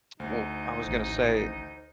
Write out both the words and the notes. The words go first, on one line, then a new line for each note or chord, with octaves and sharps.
Well, I was gonna say
D2 D#4 C5
A1